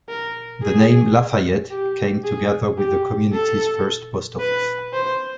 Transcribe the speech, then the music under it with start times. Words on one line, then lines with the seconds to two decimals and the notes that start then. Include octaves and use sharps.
The name "LaFayette" came together with the community's first post office.
0.09 A#4
0.63 G#4
1.71 G4
2.24 G#4
2.78 G4
3.32 A4
4.40 B4
4.94 C5